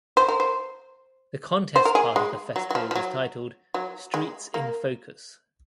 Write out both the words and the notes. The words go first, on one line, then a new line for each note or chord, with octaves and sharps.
The contest part of the festival was titled "Streets in Focus".
C5
A#4
C5
C5
A#4
G#4
G#3
F#3
F#3
F3
F3
F#3
F#3
G#3
A#3